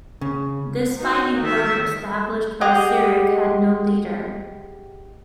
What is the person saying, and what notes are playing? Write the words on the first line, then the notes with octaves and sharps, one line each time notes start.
This fighting order established by Cyric had no leader.
C#3
D#4 F#4
D#3 E5
G4 G#4 D#5 F#5